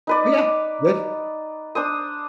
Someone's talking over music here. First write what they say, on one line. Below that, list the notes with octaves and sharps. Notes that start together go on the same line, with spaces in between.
Oh yeah. Good.
D#4 B4 D5
D4 C5 D#6